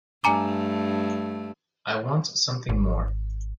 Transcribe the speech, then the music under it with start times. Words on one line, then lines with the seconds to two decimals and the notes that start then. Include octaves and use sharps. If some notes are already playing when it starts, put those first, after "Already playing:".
I want something more.
0.24 G2 A3 G#5 A#5 D6
2.69 G#1